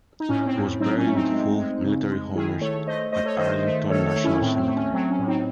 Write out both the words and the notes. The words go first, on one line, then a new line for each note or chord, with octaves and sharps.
He was buried with full military honors at Arlington National Cemetery.
D#4
A2 C#4
C4
A2
F#3 C4 D#4
C#4
A3
C4 D#4
G#3
G#3
C#3
G#3
D#3 E4 G#4
A3 A4 C#5
A3 C5 D#5
A3 C5 D#5
A4 C#5
D#3 C5 D#5
A3
D#3 A4 C#5
A4 C#5
A3
C#4 E4
A2 C4
C4
A3
C#4
F#3 C4
C#4
A2
C4 D#4